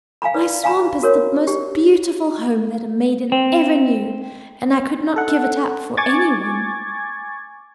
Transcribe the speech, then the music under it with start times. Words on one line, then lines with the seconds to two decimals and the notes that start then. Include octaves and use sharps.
My swamp is the most beautiful home that a maiden ever knew, and I could not give it up for any one.
0.22 F5 G#5 A#5 B5
0.34 B4 D5
0.64 F5 G#5 A#5 B5
1.02 F#4 A#4 C#5
1.47 G4
3.32 C4
5.16 A4 F#5
5.97 G#5 C#6 D6 G#6 A6